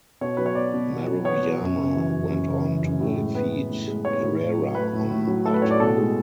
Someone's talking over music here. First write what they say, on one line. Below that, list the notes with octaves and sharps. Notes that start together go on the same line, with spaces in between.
Maruyama went on to defeat Perera on that hole.
B2 C#5
F#3 B4
C#5
B3 D5
B2
B2
F#3
B3 C#5
B2
F#2
C#3
E3
F#2
F#2
C#3
E3
F#2
A2
G#3
B3 B4
A2
A2
G#3
B3 C#5
A2
A2
F#3
A3 B4
A2
A2
F#3
A3 A4
B4
A2 C#5
D5
B2 A4
G#3